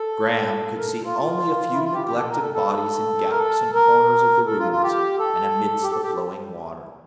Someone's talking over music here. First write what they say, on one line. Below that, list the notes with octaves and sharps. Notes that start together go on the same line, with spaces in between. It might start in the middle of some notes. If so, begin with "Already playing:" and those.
Graham could see only a few neglected bodies in gaps and corners of the ruins, and amidst the flowing water.
Already playing: A4
A#4
A4
F4
F4
E4
F4
G4
G4
A4
A#4
A4
A4
A#4
A4
A#4
A4
F4
F4
G4
A4
G4
A4
G4